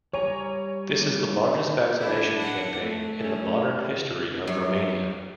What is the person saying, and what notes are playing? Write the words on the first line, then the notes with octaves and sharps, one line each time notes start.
This is the largest vaccination campaign in the modern history of Romania.
G3 C#5 G#5 A#5
D4 E4
D4 F#5
A3
A3 C#4
F#2